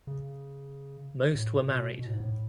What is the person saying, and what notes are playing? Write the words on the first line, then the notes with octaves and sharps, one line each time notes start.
Most were married.
C#3
A2
B2
B2
A2
G#2
A2